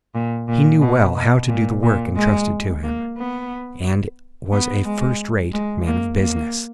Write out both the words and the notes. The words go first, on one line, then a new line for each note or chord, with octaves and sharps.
He knew well how to do the work intrusted to him, and was a first-rate man of business.
A#2
A#2
B2
B2
A#2
A#2
G#3
A#3
B3
B3
G#3
G#3
A#3
A#3